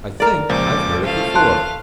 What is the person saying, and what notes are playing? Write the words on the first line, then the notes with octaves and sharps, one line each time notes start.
I think I've heard it before.
A#4 D5
C#2 A#2 F3 D6
A3 F5
A5 C6 F#6